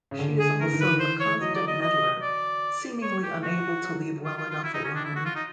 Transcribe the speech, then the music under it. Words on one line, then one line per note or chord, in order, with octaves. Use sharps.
She is also a constant meddler, seemingly unable to leave well enough alone.
C#3
D3
G#4
E3 A#4
D#3
B4
E3
C5
C#5
F#3 D#5
D5
D#5
D#5
D5
C#5
G4
F3 F#4
F#3
F4
F4
F4
E4
D#4
C#4
D4
E4
F#4
F4
D#4